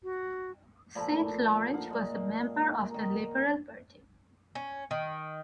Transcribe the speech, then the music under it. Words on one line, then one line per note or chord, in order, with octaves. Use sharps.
Saint Laurent was a member of the Liberal Party.
F#4
A#2 F3 A3 B5
F5 F#5
A#2 G#3
D#3 A#4
C#4
D#3